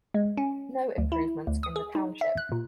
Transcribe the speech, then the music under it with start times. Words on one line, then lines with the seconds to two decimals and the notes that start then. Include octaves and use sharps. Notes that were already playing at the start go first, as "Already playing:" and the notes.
No improvements in the Township.
0.14 G#3
0.37 C#4
0.98 D2
1.12 E4
1.47 D2
1.63 D#6
1.76 G#4
1.95 D#4
2.21 E5
2.37 F#6
2.52 A#2